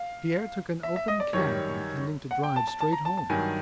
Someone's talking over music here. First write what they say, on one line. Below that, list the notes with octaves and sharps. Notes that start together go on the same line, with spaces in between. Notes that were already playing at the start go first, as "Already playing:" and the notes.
Pierre took an open cab intending to drive straight home.
Already playing: F5
E5
E5
D#5
D5
F#2 D#3 G3 C#5
F#5
G5
A5
A5
A5
A#5
A5
A5
G2 D#3 F#3 G#5